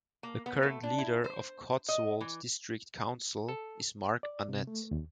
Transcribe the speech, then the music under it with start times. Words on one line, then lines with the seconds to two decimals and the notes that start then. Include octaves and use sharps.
The current leader of Cotswold District Council is Mark Annett.
0.23 A#3
0.46 B3
0.63 A3
0.83 D4
0.98 E4
1.24 C5
1.89 D#5
2.21 E3
3.49 A4
4.23 D5
4.49 C3
4.67 A3
4.91 D#2